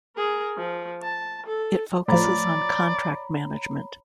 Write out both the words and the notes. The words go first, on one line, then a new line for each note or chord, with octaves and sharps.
It focuses on contract management.
G#4 A#4
F3
A5
A4
A2 F3 C#5 D5 A#5 B5